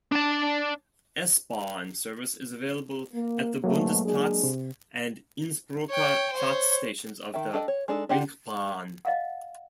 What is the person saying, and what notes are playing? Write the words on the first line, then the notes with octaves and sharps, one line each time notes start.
S-Bahn service is available at the Bundesplatz and Innsbrucker Platz stations of the "Ringbahn".
D4 A5
A#3
G#2 B2 F#3 A3 A#3
G#3 D4 G#4
C3
C#5 G5
C5 C#5
D#3 E5 G5
D4 A4 D#5 G5
C#5
G#3 D4 D#4 A4
D4 F4 G4 D5 F#5
D#5 F5 F#5